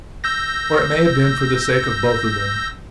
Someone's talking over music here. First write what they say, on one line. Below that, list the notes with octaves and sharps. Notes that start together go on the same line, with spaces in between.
Or it may have been for the sake of both of them.
E6 G6 A#6